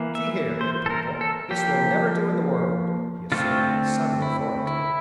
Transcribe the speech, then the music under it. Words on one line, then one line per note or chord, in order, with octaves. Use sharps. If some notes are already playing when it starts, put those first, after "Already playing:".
"See here, good people, this will never do in the world," he asserted with sudden authority.
Already playing: E3 A#3
E5
C5
A4
A#4
A4
F3 A#3 G4
D3 A3 C4 F4
E4
E4